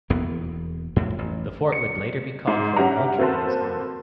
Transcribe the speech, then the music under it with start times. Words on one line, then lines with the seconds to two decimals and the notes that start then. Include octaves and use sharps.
The fort would later be called Fort Moultrie in his honor.
0.10 E1 E2 A#3 B3
0.96 F2 A2
1.19 A1
1.72 C#7
2.47 G#2 C6
2.76 G2 C#4 G4 E5 F#5 A#5
3.19 A#3 C4 F#4 A4 B4 C5